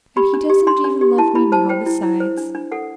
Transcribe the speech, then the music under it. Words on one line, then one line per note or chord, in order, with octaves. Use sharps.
"And he doesn't even love me now, besides."
G4 B5
D4
G4
D4 C6
D4
G4
E4 A5
E4 B5
C5 A5
C5 G5
E4
E4
C5
D4
D4
A4 F#5